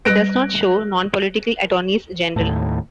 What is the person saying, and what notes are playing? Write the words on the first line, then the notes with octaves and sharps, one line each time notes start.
It does not show non-political attorneys-general.
G3 B4 F#6 A#6 D7
D#2 A2